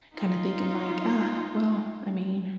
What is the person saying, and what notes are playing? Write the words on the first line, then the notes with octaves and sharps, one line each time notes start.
kinda thinking like, "Uh, well," I mean,
D#4 F4